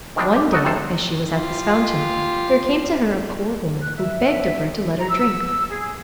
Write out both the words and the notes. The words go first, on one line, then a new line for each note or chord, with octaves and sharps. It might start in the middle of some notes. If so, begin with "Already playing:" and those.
One day, as she was at this fountain, there came to her a poor woman, who begged of her to let her drink.
D#3 F3 G3 C4 D4
G4
D#4 F#4 A4
B1 G2 C3 A4 C5
F4 G4
F#6
E5
A#5
E6
G#4